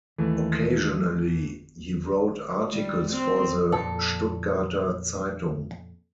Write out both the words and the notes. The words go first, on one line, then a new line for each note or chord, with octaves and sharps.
Occasionally, he wrote articles for the "Stuttgarter Zeitung".
D#2 E3 A3
G3
C4
F2 A#2 A4